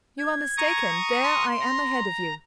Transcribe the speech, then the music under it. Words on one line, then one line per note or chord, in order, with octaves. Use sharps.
"You are mistaken; there I am ahead of you."
G#6
A#5 C#6 D#6
C6
A#5